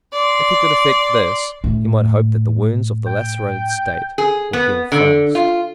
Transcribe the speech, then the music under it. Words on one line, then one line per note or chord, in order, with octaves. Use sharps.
If he could effect this, he might hope that the wounds of the lacerated State would heal fast.
D5 C6
A2
G5
G#4
B3
D3
F4